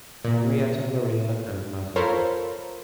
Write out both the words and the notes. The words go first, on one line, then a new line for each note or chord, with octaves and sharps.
Henrietta Maria and Mazarin.
A#2
F4 A4 A#4 C5 C#5 B5